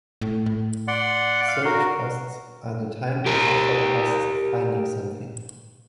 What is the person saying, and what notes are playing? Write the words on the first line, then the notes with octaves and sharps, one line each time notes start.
Search costs are the time and effort costs of finding something.
A2
A2
D5 F#5 C6
F5
F#4 A#4
G4 A#4